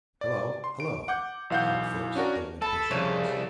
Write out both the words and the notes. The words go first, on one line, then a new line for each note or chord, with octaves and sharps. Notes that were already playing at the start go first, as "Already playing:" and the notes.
"Hello, hello!" called Phipps in an impatient voice.
D5
C6
D7
F#5 D6 G6
B1 E3 F5 F#5 G6
C#4 D4 F#4 A#4
A4 A5 B5
C2 C#3 F3 A3 A#3 C#5